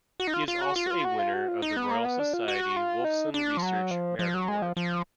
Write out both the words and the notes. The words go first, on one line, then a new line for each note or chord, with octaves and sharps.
He is also a winner of the Royal Society Wolfson Research Merit Award.
F#4
D#4
F4
F4
F#4
F4
F#4
F4
F#4
F4
F#4
F4
D#4
B3
A#3
B3
D4
F4
F#4
F4
D#4
D4
F3
F#3
F3
F3
F#3
G#3
F3
F3